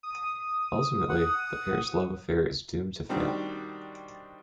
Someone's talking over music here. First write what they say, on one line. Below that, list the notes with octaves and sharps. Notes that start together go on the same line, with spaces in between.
Ultimately, the pair's love affair is doomed to fail.
D#6
F#5
D#3 G3 C4 D4 F#4